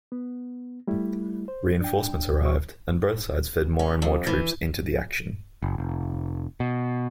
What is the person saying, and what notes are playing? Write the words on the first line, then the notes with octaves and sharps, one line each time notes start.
Reinforcements arrived, and both sides fed more and more troops into the action.
B3
G3 A3 E4
C5
D4 G5
E2 B2 F#4 C5 C#6
C#4
F2
E3
F#1
F1
B2